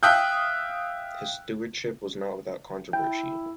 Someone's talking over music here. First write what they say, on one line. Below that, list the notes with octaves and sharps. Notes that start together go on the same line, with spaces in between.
His stewardship was not without controversy.
E5 F5 G5 D#6 F#6 G6
E4 G5